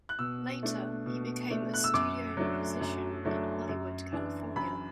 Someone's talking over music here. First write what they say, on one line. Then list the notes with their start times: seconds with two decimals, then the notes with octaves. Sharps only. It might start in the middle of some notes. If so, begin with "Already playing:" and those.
Later he became a studio musician in Hollywood, California.
0.09 F#6
0.19 B2 E6
0.63 A3 D4
1.06 B2
1.50 A3 D4
1.74 F#6
1.84 E6
1.94 F#2 D6
2.37 F#3 A3 D4
2.81 F#2
3.25 F#3 A3 D4
3.69 F#2
4.12 E3 D4
4.56 F#2 B5